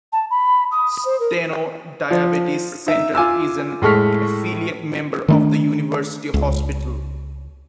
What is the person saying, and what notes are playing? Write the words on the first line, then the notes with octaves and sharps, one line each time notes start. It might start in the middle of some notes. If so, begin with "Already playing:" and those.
Steno Diabetes Center is an affiliate member of the University Hospital.
A5
B5
D#6
C5
A#4
F3
D#4 E5
F4 G#5 D6 E6
A2 G#3 A4 C#6 F6 B6
D#3 A3 D4
C#2